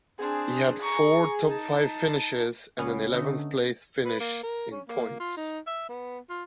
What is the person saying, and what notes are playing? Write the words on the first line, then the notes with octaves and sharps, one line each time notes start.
He had four top five finishes and an eleventh-place finish in points.
C4 D4 G#4
A#5 C#6
D#4 A5
C#2 B3 C#4
D3 A3 D#4 F#4
B4
A#3
A#4
C#4
A#3
F4
D#4
E5
B3
F4